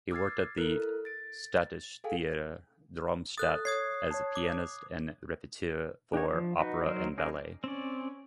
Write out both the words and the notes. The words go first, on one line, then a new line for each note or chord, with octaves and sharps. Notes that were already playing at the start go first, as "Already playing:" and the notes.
He worked at the Staatstheater Darmstadt as pianist and repetiteur for opera and ballet.
D6 E6 F6 G#6 A6 C7
E4 A4 A#4 F6 F#6
A6 D7
G#4 A4 F5 G5 G#5
A4 D#6 F#6 A6
C#5 D#6 G#6 C7
C#5 A5
D6
D4 D#4 C#5
F3
D#4 F#4 B4
F#3 D#4 A#4 C5
C#4 D#4 G#4 A#4 D5
C4 C#4 D5